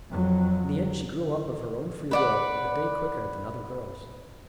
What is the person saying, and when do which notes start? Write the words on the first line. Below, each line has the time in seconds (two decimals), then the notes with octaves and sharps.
In the end she grew up of her own free will a day quicker than other girls.
0.11 F2 F#3
2.11 B4 D5 F#5